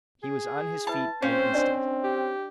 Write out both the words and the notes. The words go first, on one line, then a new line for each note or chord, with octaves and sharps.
He was on his feet in an instant.
G#4
E4 B4 A5 B5
C4 C#4 C5 C#5 F5
D4 D5 D#5
G4